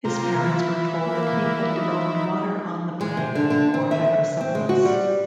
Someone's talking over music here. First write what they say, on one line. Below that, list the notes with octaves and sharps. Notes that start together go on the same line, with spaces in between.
His parents were told that he had developed "water on the brain" or hydrocephalus.
C3 A#3 F4
E3
A#3
D#4
G#3
C3
D3
D3
C4
E5
C4
G#3
F#4
G3